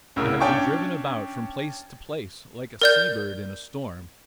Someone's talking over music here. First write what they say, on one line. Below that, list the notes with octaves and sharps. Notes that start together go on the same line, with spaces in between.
I have been driven about from place to place, like a seabird in a storm.
C2 A2 C#3 A#4 E6
C#4 D4 C#5 G5 A5 C#6
A#4 D5 G6